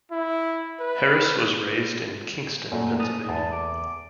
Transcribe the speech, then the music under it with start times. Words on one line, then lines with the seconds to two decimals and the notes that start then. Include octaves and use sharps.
Harris was raised in Kingston, Pennsylvania.
0.11 E4
0.80 B4
2.72 F#2 A#2 A3
3.00 B3 A5 A#5 D#6
3.29 E2 A5
3.51 D6